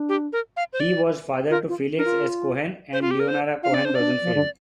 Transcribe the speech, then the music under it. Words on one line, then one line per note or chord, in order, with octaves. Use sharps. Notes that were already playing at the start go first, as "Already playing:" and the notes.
He was father to Felix S. Cohen and Leonora Cohen Rosenfield.
Already playing: D4
G4
A#4
F5
C5
D5
F4 A#4
F4
D4 A#4
F4
C5
F4
G4
A#4
C5
F4 F5
D4
C4 D5
D4 C5
D4 D5
F3
D3